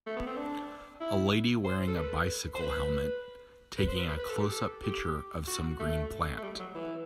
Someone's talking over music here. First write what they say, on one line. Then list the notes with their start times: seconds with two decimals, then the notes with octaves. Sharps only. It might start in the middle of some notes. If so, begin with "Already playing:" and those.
A lady wearing a bicycle helmet taking a closeup picture of some green plant.
0.07 A3
0.16 B3
0.26 C4
0.37 D4
1.01 E4
1.65 C5
1.88 A4
1.96 B4
2.55 C5
2.60 B4
3.78 B4
3.88 C5
3.99 B4
4.09 B4
4.20 B4
4.30 A4
4.40 G4
4.50 A4
4.84 G4
5.48 F#4
5.79 A3
6.38 A3
6.43 G3
6.60 F#3
6.75 E3